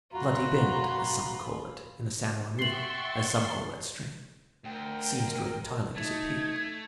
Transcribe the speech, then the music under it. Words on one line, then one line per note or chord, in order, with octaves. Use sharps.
The Bloody Bend, as some call it, in the San Juan River, as some call that stream, seems to have entirely disappeared.
F#2 B2 F4 F#4 A#5 B5
E5 F#5 G5 C6 C#6 A6 C7 F#7
D2 A#4 G5
A3 D#4 G#6